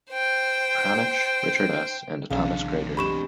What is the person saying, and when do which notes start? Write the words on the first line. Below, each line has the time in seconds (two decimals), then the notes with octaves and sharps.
Krannich, Richard S, and Thomas Greider.
0.11 C5 G5
2.30 B1 E2 C#3 D4 F5
2.97 G#3 C4 G4 B5 C#6 E7